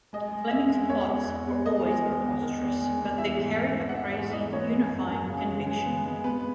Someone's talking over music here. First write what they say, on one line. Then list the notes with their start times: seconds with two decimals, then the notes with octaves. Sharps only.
Fleming's plots were always preposterous, but they carried a crazy, unifying conviction.
0.13 G#3 D#5
0.32 G#3
0.51 E2 E5
0.70 G#3
0.89 E2 C#5
1.09 E2
1.27 E2
1.47 E2
1.66 G#3 D#5
1.85 G#3
2.05 D#3
2.23 E2
2.42 D#3
2.62 E2
2.81 G#3
3.00 E2
3.18 E3 E5
3.38 G#2
3.57 E3
3.76 E3
3.89 F#5
3.95 B3 E5
4.14 G#2 F#5
4.33 E3 D#5
4.53 B3 C#5
4.71 G#3
4.90 F#2
5.10 F#2
5.29 C#3
5.48 G#3
5.66 G#3
5.86 B3
6.05 G#3
6.24 B3 B4